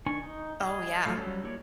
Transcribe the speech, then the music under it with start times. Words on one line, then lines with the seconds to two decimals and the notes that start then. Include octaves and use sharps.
Oh, yeah.
0.06 D#3 D4 G#5 C#6
0.23 D#4
0.61 G#4 D#5
1.05 F3 F#3 A3 F5
1.17 F#3 G3 C#4 E6
1.44 A#3 E4 G4 C#5 D5